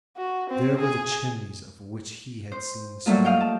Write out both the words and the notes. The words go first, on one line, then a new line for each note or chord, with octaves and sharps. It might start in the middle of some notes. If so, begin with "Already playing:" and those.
There were the chimneys of which he had seen the smoke.
F#4
C4
G#4
C5
F#3 G3 A3 A#3 F4
D#5 F5 G5
A5